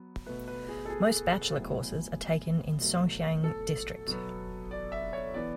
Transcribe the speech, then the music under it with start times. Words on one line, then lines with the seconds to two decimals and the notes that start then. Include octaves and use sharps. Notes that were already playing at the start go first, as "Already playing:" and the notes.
Most bachelor courses are taken in Songjiang district.
Already playing: F#3 B3
0.26 B2 A3 B4
0.48 B4
0.69 G#4
0.85 A4
0.90 G#4
1.53 A2 F#3 B3
2.80 B2 F#3 A3
3.44 A4
4.07 B2 F#3 B3
4.71 D5
4.92 E5
5.13 C#5
5.34 E3 B3 D5